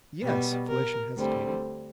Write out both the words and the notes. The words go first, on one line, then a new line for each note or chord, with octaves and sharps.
"Yes." Felicia hesitated.
B2 G3 B3
A#4
D2 D3 G3 C4